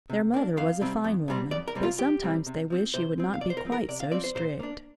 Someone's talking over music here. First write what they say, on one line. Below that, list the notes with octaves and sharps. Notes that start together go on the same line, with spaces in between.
Their mother was a fine woman, but sometimes they wished she would not be quite so strict.
C3
A#3 D4
F2 F5
C3 G3 C4
F2
C3 G3 C4
F2 D5
A#4
C3 G3 C4
F4
F2 G4
C3 G3 C4
C3
F3 C4
C3 C5
F3 C4
F5
C3 D5
C5
A#4
F3 C4
A#4
C3 D5
F5
F3 C4 D5
C5
A#2 C5
A#3 D4